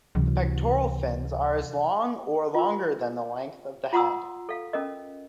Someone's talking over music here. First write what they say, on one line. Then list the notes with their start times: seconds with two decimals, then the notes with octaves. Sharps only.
The pectoral fins are as long or longer than the length of the head.
0.15 C#2 C3 E3 F#3
2.55 F4 A#4
3.93 F4 F#5 A#5 C6 D#6 E6
4.49 A4 F5
4.73 C#4 A4 A#4 D#5